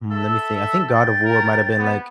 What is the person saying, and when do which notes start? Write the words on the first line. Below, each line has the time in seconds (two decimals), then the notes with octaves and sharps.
mm, lemme think I think God of War might have been, like
0.11 A4 E5 E6
0.90 G5 A6
1.24 A#4
1.78 B3